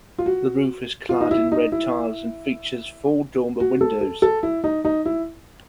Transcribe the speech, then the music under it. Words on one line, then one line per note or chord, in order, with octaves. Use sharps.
The roof is clad in red tiles and features four dormer windows.
F4
F#4
F4
D#4
E4
D#4
E4
F#4
A4
A4
A4
E4
D#4
D#4
E4